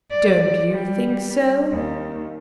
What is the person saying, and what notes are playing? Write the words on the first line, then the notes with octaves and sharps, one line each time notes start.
'Don't you think so?
D5
G3
D#2